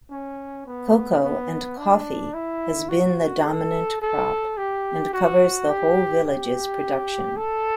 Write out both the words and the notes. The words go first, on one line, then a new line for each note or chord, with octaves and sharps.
Cocoa and coffee has been the dominant crop and covers the whole village's production.
C#4
B3
B3
D4
E4
F#4
A4
A4
G4
F#4
G4
G4
A4